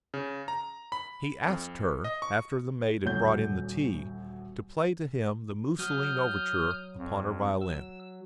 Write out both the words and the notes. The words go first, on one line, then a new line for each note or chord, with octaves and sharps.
He asked her, after the maid had brought in the tea, to play to him the Musoline Overture upon her violin.
C#3
A#5
B5
F2
D#5
C#6
D#1 D2 F#3 G6
F#3 D#6 F6 G6
F2
E6